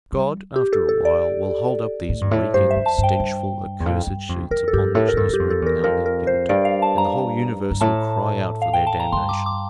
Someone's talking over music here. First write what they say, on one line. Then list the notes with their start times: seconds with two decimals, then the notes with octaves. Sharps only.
God, after a while, will hold up these reeking, stenchful, accursed sheets, upon which they spread out their guilt, and the whole universe will cry out for their damnation.
0.12 G3
0.56 G4
0.73 A4
0.89 A4
1.05 D5
2.09 A2
2.21 G2
2.31 A2
2.54 G2 C5
2.71 E5
2.76 F2
2.86 A5
2.98 G2
3.03 G5
3.20 G2
3.80 E2
3.86 F2
4.07 G2
4.29 F2
4.51 F2 A#4
4.68 A4
4.73 G2 G4
4.95 A2 A4
5.08 A#4
5.13 A2
5.17 G2 A4
5.29 G2 G4
5.40 F2
5.50 A4
5.62 E2 A#4
5.84 F2 A#4
6.06 A#4
6.27 C5
6.49 G2 D5
6.65 F5
6.82 A5
6.98 A#5
7.71 G2
7.81 A2 A5
8.62 F5
8.73 G5
8.87 A5
9.00 A#5
9.12 G2 C6
9.29 D6
9.46 D6